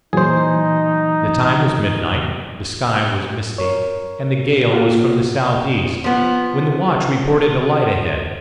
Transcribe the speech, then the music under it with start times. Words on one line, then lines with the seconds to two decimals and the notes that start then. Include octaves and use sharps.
The time was midnight, the sky was misty, and the gale was from the south-east, when the watch reported a light ahead.
0.13 A#2 E3 F#3 D#4 G#4 C5
3.58 A#4 C#5
4.73 A#3 F4 F#4
6.04 F3 B3